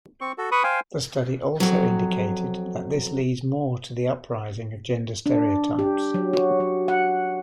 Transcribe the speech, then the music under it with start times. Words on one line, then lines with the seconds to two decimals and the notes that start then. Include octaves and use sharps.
The study also indicated that this leads more to the uprising of gender stereotypes.
0.21 C4 C#6
0.38 F#4 A4
0.52 B4 B5 C#6 D#6
0.64 C5 F5 G5 G#5
1.60 F2 F#3
5.26 D4
5.79 G4
6.14 F#3
6.33 F#4
6.60 F#3
6.88 F#5